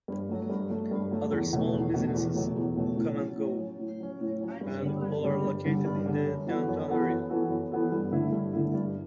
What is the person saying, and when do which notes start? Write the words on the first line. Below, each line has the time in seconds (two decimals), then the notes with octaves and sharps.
Other small businesses come and go, and all are located in the downtown area.
0.08 G2
0.29 F#3 A3
0.50 G2
0.70 F#3 A3
0.91 G2
1.11 F#3 A3
1.32 E2
1.53 B2 F#3 A3
1.73 E2
1.94 B2 F#3 A3
2.14 E2
2.34 B2 F#3 A3
2.56 E2
2.76 B2 F#3 A3
2.97 A2
3.18 F#3 C#4
3.38 A2
3.59 F#3 C#4
3.79 A2
4.00 F#3 C#4
4.21 A2
4.41 F#3 C#4
4.61 G2
4.82 D3 G3
5.02 G2
5.23 D3 G3
5.44 G2
5.65 D3 G3
5.85 G2
6.06 D3 G3
6.27 F#2
6.47 E3 B3 F#4 A4
6.68 F#2
6.88 E3 B3 F#4 A4
7.09 F#2
7.30 E3 B3 F#4 A4
7.50 F#2
7.71 E3 B3 F#4 A4
7.92 G2
8.11 D3 A3 E4
8.33 G2
8.53 D3 A3 E4
8.74 G2